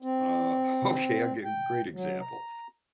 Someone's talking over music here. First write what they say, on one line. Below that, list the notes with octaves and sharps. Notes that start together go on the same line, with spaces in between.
Uh, okay, I'll give great example.
C4
G5
F#3
A#5